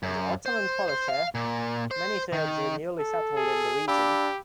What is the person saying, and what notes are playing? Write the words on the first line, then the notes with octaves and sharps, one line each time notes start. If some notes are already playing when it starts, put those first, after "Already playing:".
Under Ottoman policy, many Serbs were newly settled in the region.
F#2
C5
C5
F5
A#2
C5
D#3
A4
G#4
D4 G4 F5 B5 E6